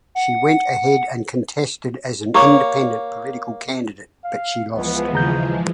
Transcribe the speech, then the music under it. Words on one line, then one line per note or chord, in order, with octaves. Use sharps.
She went ahead and contested as an Independent political candidate but she lost.
F#5
A#3 G4 C#5 A#5 C#6
F5
C#2 E3 F3 G#3 B3
D#2 C#3 A#5 G6